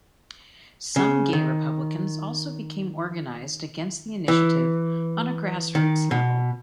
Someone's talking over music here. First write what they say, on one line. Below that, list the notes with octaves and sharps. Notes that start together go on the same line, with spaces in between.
Some gay Republicans also became organized against the initiative on a grassroots level.
C#3
D#3
E3
D#3
B2